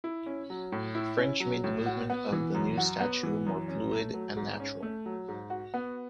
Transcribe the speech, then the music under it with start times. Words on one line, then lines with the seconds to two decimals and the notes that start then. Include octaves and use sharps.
French made the movement of the new statue more fluid and natural.
0.04 E4
0.26 C#4
0.50 F#3
0.72 A2
0.95 E4
1.17 C#4
1.40 F#3
1.64 A2
1.86 F#4
2.10 B3
2.32 E3
2.54 F#2
2.78 F#4
3.00 B3
3.23 E3
3.46 F#2
3.68 C#4
3.92 A3
4.14 F#3
4.37 G#2
4.60 C#4
4.83 A3
5.06 F#3
5.28 G#2
5.50 F#4
5.74 B3